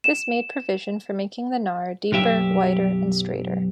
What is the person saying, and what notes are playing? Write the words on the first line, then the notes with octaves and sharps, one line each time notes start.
This made provision for making the Nar deeper, wider and straighter.
E7
B1 F#2 G4 E5